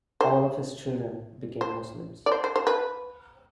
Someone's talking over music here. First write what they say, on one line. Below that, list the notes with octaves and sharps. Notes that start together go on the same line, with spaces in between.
All of his children became Muslims.
C5
C5
D5
C5
C5
C5
B4